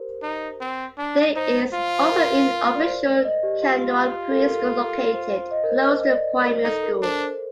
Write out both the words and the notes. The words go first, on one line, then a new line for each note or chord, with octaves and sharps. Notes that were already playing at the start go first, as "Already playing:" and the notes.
There is also an official Canouan Pre-school located close to the primary school.
Already playing: G4 A#4 C5
D#4
C4
D4
D#4 C5
F4
C5
A#4
D5
C5
D#5
G4
F4 G4
A4
A#4
C5
C5
D#5
A#4
C5
A#4
C5
D#5
D5
A#4
D#4 A4
A#4
D4 C5
C5